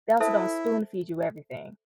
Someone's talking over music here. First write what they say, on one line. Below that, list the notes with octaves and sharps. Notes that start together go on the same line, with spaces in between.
they also don't spoon feed you everything.
E4 A4 C5 E5 A5